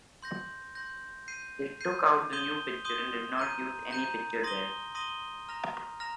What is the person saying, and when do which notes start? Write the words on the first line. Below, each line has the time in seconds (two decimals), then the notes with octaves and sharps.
They took out the new picture and did not use any picture there.
0.23 C6 G6 A#6
0.75 C6 G6 A#6
1.28 G6 C7 D#7
1.81 G6 C7 D#7
2.33 C6 D#6 G6 D#7 G7
2.85 C6 D#6 G6 D#7 G7
3.38 A#5 G6 D#7
3.91 A#5 G6 D#7
4.43 C6 D#6 A#6 D#7 G7
4.95 C6 D#6 A#6 D#7 G7
5.49 A#5 F6 A#6 F7
6.00 A#5 F6 A#6 F7